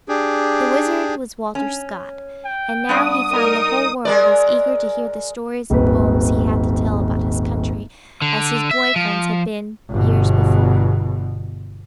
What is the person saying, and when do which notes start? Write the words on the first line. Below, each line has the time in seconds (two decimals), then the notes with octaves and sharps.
The Wizard was Walter Scott, and now he found the whole world as eager to hear the stories and poems he had to tell about his country as his boy friends had been years before.
0.09 D4 G4 G#4
1.55 C#4
2.45 G5
2.89 G2 B3 D5 D#6
3.32 D#4 A#4
4.05 G#3 A#4 D5
5.70 D#1 G#1 B4
8.22 D3
8.71 E5
8.96 F3
9.90 G1 B2